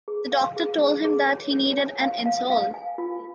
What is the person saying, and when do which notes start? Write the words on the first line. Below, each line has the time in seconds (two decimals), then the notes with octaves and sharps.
The doctor told him that he needed an insole.
0.08 G#4
0.32 F5
0.56 G#4
0.81 G#4
1.05 G#4
1.29 C#5
1.53 C#5
1.78 G#5
2.01 F5
2.26 F5
2.50 F5
2.74 G#5
2.98 F4